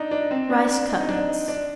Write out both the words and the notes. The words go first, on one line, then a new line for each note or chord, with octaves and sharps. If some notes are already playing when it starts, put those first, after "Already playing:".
Rice Cutlets.
Already playing: D4 D#4
D4
C4
D4
D4
D#4
D#4
D4
D#4
D4